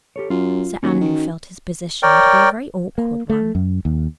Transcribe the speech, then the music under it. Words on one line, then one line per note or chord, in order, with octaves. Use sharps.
Sir Andrew felt his position to be a very awkward one.
G4 A4 C#5
F#2 F4
D#2 C#4 F#4
D#3
A#4 C#5 D5 G5
A#3
A3
F#2
D#2